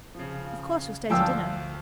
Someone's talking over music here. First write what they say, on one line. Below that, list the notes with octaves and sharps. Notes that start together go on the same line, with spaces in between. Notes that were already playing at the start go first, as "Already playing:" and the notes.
"Of course you'll stay to dinner?"
C#3 F3
D2 F3 F5 G5 A5 E6